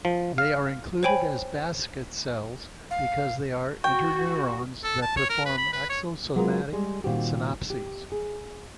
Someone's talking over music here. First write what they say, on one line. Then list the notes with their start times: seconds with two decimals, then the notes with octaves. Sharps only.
They are included as basket cells because they are interneurons that perform axo-somatic synapses.
0.05 F3
0.38 F5
1.03 C5 C#5 G5 G#5 B5
2.91 F5
3.84 F#4 G5 C#6
4.84 A4
5.02 A5
5.17 C#5
5.30 A#4
5.45 B4
5.58 B5
5.73 B4
5.90 C#5
6.36 F#3 G#3 B3 F4 A#4
6.73 G3 G#3 G#4
7.04 A#2 D#3 G3 C4 F#4 G4
7.70 G4
8.12 G#4